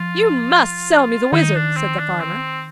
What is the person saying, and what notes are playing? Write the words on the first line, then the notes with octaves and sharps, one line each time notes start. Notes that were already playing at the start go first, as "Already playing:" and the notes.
'You MUST sell me the wizard,' said the farmer.
Already playing: F3 F4
D#3 D#4
D4
C4
D4
C4